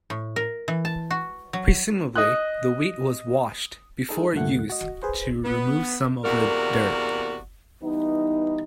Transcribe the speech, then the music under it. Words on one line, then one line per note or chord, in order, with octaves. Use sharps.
Presumably the wheat was washed before use to remove some of the dirt.
A2
A#4
E3
A5
F#4
F#3
D#5 D#6 F#6
G#3 D#4 A4
D2 G2 A#2 A3 F#5
F#4 D#5
G#4 B4 C5
B3
E2 C3 A#3 F#4 A#4 D5
E3 G3 B3 D#4